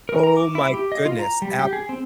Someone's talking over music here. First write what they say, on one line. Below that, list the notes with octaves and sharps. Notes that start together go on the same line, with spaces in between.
Oh my goodness. Absolutely.
A#4
A#5
D6
E4
G4
D#5
F4
A#5
G3
G4
G#4
C4